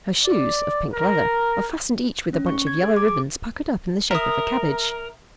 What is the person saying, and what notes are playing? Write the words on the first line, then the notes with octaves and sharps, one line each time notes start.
Her shoes--of pink leather--are fastened each with a bunch of yellow ribbons puckered up in the shape of a cabbage.
D5
A#4
C#4
C#6
G#6
G#4
D6
D6
A#4 E5 D#6